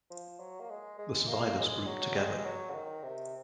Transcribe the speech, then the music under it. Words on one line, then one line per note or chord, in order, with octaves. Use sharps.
The survivors grouped together.
F3
F#3
A#3
G#3
G#3
A#3
G#3
F#3
G#3
F#3
C#3
D#3
C3